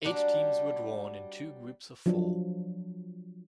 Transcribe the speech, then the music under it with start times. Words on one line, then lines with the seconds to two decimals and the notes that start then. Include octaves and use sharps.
Eight teams were drawn in two groups of four.
0.04 F#3 G3 D4
2.06 F3 F#3 D4